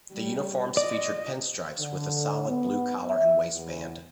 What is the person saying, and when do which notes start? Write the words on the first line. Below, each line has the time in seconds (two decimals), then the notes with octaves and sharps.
The uniforms featured pinstripes with a solid blue collar and waistband.
0.13 G3
0.77 F4 D5 D#5
1.80 D3
2.49 B3
3.08 E5
3.53 E2